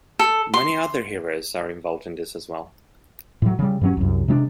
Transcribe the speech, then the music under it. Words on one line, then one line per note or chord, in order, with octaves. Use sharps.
Many other heroes are involved in this as well.
A4
C6
A2 F#3
C#3 G3
G2 F#3 C#4
C2 F#2
C3 G#3 C#4 D4